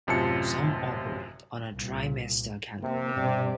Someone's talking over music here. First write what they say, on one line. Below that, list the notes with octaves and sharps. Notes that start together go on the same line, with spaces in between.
Some operate on a trimester calendar.
A1 F#2 C3 F4 A5 C#7
C2 A#2
C3 A#3
G2 B2 C4 D5